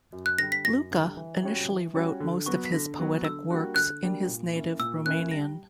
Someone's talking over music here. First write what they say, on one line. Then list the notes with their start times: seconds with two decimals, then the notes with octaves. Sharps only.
Luca initially wrote most of his poetic works in his native Romanian.
0.13 F#2
0.26 F#6
0.38 D3 G3 A#6
0.52 B6
0.65 F#2 A#6
0.91 D3 G3
1.17 E3
1.43 G3 C#4 F#4 C#5
1.69 E3
1.94 G3 C#4 F#4 C#5
2.20 D3
2.46 F#3 B3 F#4 C#6
2.65 B6
2.72 D3 A#6
2.98 F#3 B3 F#4
3.24 D3 E6
3.50 G3 A#3 D4 F#4
3.75 D3 F#6
4.02 G3 A#3 D4 F#4
4.28 A#2
4.54 A#3 C#4 E4
4.79 A#2 E6
5.05 A#3 C#4 E4 F#6
5.31 G3 A#6